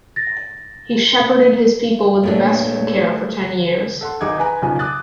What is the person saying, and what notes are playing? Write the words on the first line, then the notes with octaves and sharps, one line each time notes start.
He shepherded his people with the best of care for ten years.
A6 A#6
A#2 A3 B3 D4 C#5
A4 F#5 C6
G#1 D#4 G#4 D6 G#6
B4 G#5 A#5
B1 A#2 C#3 F3 G#5
D6 D#6 F#6 A6